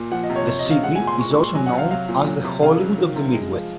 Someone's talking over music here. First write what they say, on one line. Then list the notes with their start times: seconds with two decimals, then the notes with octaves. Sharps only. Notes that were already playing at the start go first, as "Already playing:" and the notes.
The city is also known as the Hollywood of the Midwest.
Already playing: A#2
0.12 F3 F#5
0.23 D#5
0.30 C3
0.36 C#5
0.48 C3 C#5
0.59 D#5
0.65 C3
0.71 F5
0.83 G#3 F#5
0.95 G#5
1.01 A#2
1.07 C6
1.19 G#3 C#6
1.31 C#6
1.37 A#2
1.43 C6
1.55 F#3 G#5
1.66 F#5
1.73 C3
1.78 F5
1.91 F#3 F5
2.09 A#2
2.26 F#3
2.44 C3
2.62 C#3 F5
2.80 F#3
2.98 D#3
3.16 C3
3.34 G#3
3.52 F3